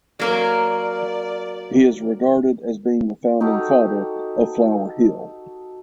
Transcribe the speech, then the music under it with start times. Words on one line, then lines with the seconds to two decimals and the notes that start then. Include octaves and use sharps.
He is regarded as being the founding father of Flower Hill.
0.19 F#3 A#3 A#4 D5
3.41 D#4 F#4 G4 A4